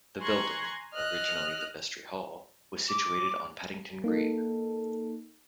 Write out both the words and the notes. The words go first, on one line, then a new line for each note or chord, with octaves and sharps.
The building, originally the Vestry Hall, was situated on Paddington Green.
G#5 A#5 C6 C#6 F#6 G#6
D#5 F6 F#6
D6
A#3 D#4 A4